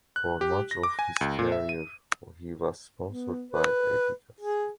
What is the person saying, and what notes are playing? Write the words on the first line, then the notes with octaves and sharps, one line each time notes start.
For much of his career he was sponsored by Adidas.
F#6
G4
A#6
D6
G#5
C#2
A#2
E5
D#7
B3
B4
G#4